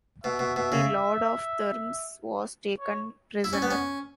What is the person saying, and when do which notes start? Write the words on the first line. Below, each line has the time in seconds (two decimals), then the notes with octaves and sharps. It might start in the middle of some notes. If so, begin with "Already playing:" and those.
The lord of Thermes was taken prisoner.
0.24 B2 E5
0.39 B2
0.56 B2
0.72 C#3
2.80 C#5
3.44 E4
3.53 C#4
3.62 B3
3.71 C#4